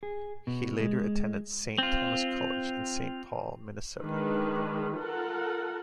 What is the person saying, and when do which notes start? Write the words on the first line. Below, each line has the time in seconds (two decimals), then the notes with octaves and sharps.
He later attended Saint Thomas College in Saint Paul, Minnesota.
0.03 G#4
0.47 B2
0.80 G#3
1.78 C4 F4
4.01 D#3 G#3 D4 B4
4.95 F4 A4 A#4 F#5